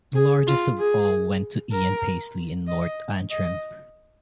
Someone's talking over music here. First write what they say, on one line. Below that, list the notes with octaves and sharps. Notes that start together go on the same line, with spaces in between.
The largest of all went to Ian Paisley in North Antrim.
G#4
F4
G#4
A#4
D#5
D#5